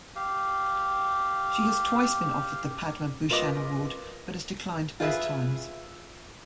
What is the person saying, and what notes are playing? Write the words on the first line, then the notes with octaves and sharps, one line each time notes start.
She has twice been offered the Padma Bhushan award, but has declined both times.
G4 F5
F4 A#4 B4 D#5 D6
F4 G#4 B4 E5